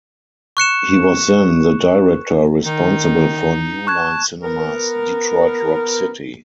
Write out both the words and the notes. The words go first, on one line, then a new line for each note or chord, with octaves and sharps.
He was then the director responsible for New Line Cinema's "Detroit Rock City".
C#6 F#6 C#7 E7
D#3 D#4
A5 C#6 F#6 G#6
B3 A#4